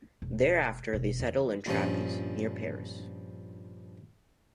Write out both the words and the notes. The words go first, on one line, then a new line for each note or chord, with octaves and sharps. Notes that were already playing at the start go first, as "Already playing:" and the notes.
Thereafter they settled in Trappes, near Paris.
E1
E1
E2
A#1 G2 F3 C#4